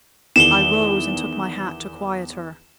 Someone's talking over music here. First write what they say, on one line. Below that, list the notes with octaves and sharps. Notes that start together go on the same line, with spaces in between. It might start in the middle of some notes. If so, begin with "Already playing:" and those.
I rose and took my hat to quiet her.
E2 D#3 E7 G7